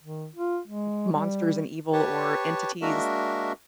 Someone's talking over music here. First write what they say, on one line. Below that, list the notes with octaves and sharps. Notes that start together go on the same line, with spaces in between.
m monsters and evil or entities,
D#3
F4
G#3
G3
G4 B4 C#5 A5 C#6
G#3 A#3 D4 F#4 A#4 E5